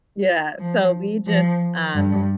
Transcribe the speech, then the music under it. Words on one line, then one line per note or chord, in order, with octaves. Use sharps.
yeah, so we just, um
F3
F3
G2